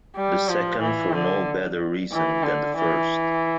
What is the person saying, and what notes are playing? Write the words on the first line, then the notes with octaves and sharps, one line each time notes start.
The second for no better reason than the first.
G3
F3
E3
D3
E3
D3
E3